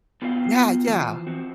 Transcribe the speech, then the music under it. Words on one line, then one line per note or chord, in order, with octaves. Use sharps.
Yeah, yeah.
B3 F4 F#4 B4 F5 G5
E3 F3
C4 F#4